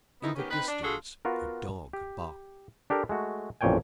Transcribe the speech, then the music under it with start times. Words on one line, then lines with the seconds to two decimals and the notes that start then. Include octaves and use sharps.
In the distance a dog barked.
0.22 F2 D#3 B3 D#4 E4
0.36 D#3 B3 C#4 G4
0.49 C4 D#4 B4
0.67 D4
0.83 D4 F4 F#4 G#4 A4
1.25 B3 F4 F#4 A#4
1.93 G4
2.90 D4 G4 A4 A#4
3.09 G#3 A3 F#4
3.61 A1 F2 A#2 C#5 G5 G#5